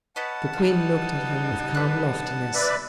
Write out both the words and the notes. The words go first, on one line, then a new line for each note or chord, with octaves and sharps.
The queen looked at him with calm loftiness.
C#4 B4 D#5 F#5 A5
G3 D#4 F5
B4 F#6
B4 D5 E5 B5 F#6